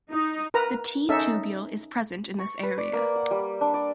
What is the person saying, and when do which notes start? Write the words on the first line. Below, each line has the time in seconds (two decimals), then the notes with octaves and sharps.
The T-tubule is present in this area.
0.11 D#4
0.54 A#4 B4 A#5
1.09 C#4 D#4 A4 E5
2.39 C#6
2.63 B4
2.78 D5
2.93 A#3
3.16 F#5
3.31 G3
3.61 D4
3.74 D5